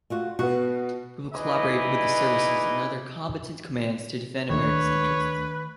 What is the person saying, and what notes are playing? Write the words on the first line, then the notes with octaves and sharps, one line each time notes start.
We will collaborate with the Services and other Combatant Commands to defend America's interests.
A3 F4 F#4
B2 B3 F#4
D#4 E4 G#4 B4 D5 D#5
D2 D#3 A3 D4 B4 C#5